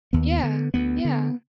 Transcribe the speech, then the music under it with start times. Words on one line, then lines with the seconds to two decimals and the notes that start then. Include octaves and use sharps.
Yeah, yeah.
0.13 D#2 B3
0.43 D3
0.74 D2 B3
1.05 D3